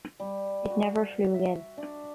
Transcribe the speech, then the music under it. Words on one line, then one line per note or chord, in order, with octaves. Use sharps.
It never flew again.
G3
F#4
E5
D4